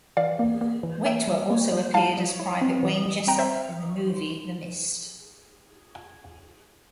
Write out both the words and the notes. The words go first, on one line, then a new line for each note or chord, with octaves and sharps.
Witwer also appeared as Private Wayne Jessup in the movie "The Mist".
E3 D5 F5
A#3
A#3
E3
A#3 E5 G5
G3
A#3
G3
E4 F5 A5
G3
E4
C4
E3
G3
C4 G5 A#5
C5 E5